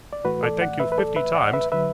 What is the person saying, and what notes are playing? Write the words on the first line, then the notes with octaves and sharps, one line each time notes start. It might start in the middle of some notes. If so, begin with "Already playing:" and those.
I thank you fifty times.
D5
A2 E3 A3 F#4 B4
A4 D5
D5 F#5
B4 E5
B4
A4 D5
B4 E5
D5 F#5
B4 E5
D3 F#3 B4 E5